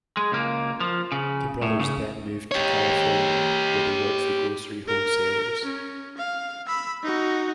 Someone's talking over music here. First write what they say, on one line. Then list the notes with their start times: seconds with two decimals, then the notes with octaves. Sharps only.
The brothers then moved to California where they worked for grocery wholesalers.
0.17 G#3
0.32 C#2 A#3
0.80 F3
1.12 C#3
1.62 A2
1.80 C#3
2.51 G4 C#5
4.87 A#4
5.64 C#4
6.18 F5
6.67 B5 E6
7.02 D#4 F#4